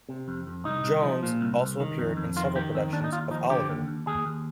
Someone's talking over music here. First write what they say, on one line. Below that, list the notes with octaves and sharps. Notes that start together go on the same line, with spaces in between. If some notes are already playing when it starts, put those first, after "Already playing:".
Jones also appeared in several productions of Oliver!
C3
F2
F2
C2 D#4
C2
F3
A#2
C2
C2
D#3
F2
F2
D#3 F4
D#3 G4
F2 C4
D#2 D4
D#4
D#2 F4
F3 D#4
D3 G4
D#2
D#2
D#2 G#4
D#2